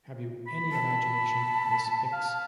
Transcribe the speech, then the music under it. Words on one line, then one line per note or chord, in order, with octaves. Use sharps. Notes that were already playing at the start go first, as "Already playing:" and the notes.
Have you any imagination, Miss Hicks?
B5
A5
F5